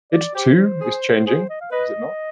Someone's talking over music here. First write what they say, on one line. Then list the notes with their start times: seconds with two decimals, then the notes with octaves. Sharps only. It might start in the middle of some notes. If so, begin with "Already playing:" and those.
It, too, is changing, is it not?
0.12 D5
0.35 G4 C5
0.81 G#4
1.26 G#4 C5
1.49 D#5
1.61 F5
1.71 B4 D#5